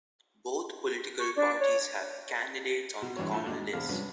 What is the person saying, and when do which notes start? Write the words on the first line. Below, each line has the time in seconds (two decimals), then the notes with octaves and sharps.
Both political parties have candidates on the common list.
1.18 C#6
1.35 D4
1.59 C#5
3.02 B2
3.16 A#1 G2 E3 D4 F#4 C#5
3.33 A3 E4 F4 A4
3.46 D#2 G#3 D4 F#4 D5
3.73 E2 C3 D4 F5
3.89 G2 C3 F3 B3 C#4